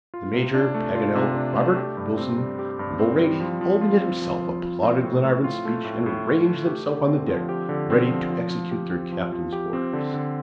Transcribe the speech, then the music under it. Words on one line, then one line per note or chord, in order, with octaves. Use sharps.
The Major, Paganel, Robert, Wilson, Mulrady, Olbinett himself, applauded Glenarvan's speech, and ranged themselves on the deck, ready to execute their captain's orders.
F4
C3
D4
A3
F4
C3
D4
A3
G4
G2
C4
G3
G4
G2
C4
G3
F3
F3
F4
C4
F3
F3
F4
C4
A2
A2
F4
A3
A2
A2
F4
A3
G4
D3
C4
F3
G4
D3
C4
F3
F3
F3
G4
C4
F3
F3
G4
C4
D3
D3